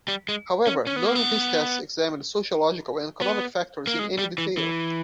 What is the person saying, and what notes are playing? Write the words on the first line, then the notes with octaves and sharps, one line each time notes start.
However, none of these tests examined sociological and economic factors in any detail.
G3
G#3
C#4
C#4
B3
A#3
B3
B3
A#3
G#3
G3
E3
E3